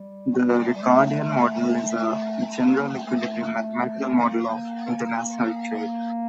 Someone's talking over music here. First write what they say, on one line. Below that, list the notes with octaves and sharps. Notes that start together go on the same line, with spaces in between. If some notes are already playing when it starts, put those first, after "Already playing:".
The Ricardian model is a general equilibrium mathematical model of international trade.
Already playing: G3
A3
G3
A3
A3
A#3
A#3
A3
A3
A#3
A#3